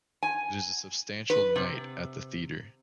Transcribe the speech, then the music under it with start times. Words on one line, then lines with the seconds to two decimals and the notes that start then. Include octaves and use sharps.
It is a substantial night at the theatre.
0.23 G#5
1.30 B4
1.56 C3